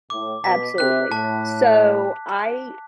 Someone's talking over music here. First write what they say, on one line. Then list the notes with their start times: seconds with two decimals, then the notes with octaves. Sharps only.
Absolutely. So, I
0.10 A2 D6
0.44 B2 B6
0.78 C3 F#6
1.11 A2 A5